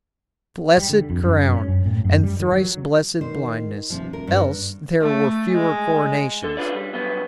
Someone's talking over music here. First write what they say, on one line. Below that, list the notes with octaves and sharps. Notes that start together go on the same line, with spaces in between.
Blessed crown! and thrice-blessed blindness--else there were fewer coronations.
G3
D3
F2
F#2
C#4
F#2
A2
F#2
G3
D#3
F#3
D#3 C5
D#1 C3 F3
A#4
G2
A3
G#3
D3 A4
D4 F4 G#4 B4 C#5 D5
G3
G2 B2 F#3 B3